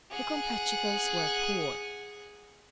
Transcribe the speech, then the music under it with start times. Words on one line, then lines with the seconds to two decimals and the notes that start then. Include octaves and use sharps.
The Comprachicos were poor.
0.11 G#4 F#5